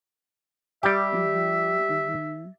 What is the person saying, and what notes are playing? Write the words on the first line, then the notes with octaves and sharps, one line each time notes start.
Mhm. Mhm.
G3 G4 E5 G5